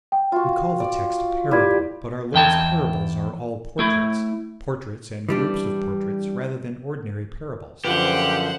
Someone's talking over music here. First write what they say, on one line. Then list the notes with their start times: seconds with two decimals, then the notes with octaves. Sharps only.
We call the text a parable, but our Lord's parables are all portraits--portraits and groups of portraits, rather than ordinary parables.
0.12 G5
0.32 F4 F#4
0.80 D5
1.51 G3 E4 G4 D5 G#6
2.34 E2 G5 A5
3.79 A3 E4
5.29 E3 G3 D4
7.85 F#2 D3 F3 F4 G4 B4 C5 F#5